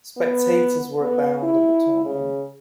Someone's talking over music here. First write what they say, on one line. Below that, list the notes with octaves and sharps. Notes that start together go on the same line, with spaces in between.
Spectators were abound at the tournament.
B3
B3
E4
C#3